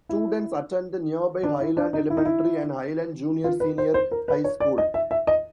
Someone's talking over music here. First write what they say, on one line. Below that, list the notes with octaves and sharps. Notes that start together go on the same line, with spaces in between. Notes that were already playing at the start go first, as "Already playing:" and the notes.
Students attend the nearby Highland Elementary and Highland Junior-Senior High School.
E4
D4
E4
D4
D#4
E4
D#4
E4
F4
B4
C5
C5
A#4
B4
C#5
D5
D#5
E5
E5
D#5